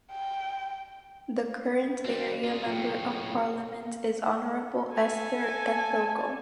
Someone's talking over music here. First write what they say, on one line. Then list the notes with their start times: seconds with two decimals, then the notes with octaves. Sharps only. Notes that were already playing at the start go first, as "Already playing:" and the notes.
The current area Member of Parliament is Honorable Esther Gathogo.
0.12 G5
2.05 G3 C4 F#4 C5 D#5
2.44 F4 G#4 D5
2.66 B1 A2 F4 G#4 F5 G5
4.92 A4 G#5